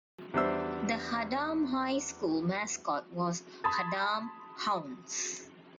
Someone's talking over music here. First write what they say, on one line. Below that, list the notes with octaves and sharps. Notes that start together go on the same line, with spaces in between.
The Haddam High School mascot was Haddam Hounds.
E2 G3 D4 C5 E5 E6
A5 B5 C6 D#6 G#6 A6